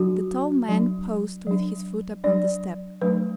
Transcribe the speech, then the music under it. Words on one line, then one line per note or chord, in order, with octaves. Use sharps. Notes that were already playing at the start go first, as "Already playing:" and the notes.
The tall man paused with his foot upon the step.
Already playing: F#3 D4 F#4
F#3 D4
F#3 D4
F#3 D4 D5
F#3 A3 D4 B4